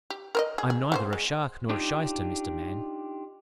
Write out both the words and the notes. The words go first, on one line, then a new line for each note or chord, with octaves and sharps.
I'm neither a shark nor a shyster, Mr. Man.
G4
A#4 C5 D#5
G#4
G#4
C#3 F#4 C5
G#3
D4 D#4 F4 G4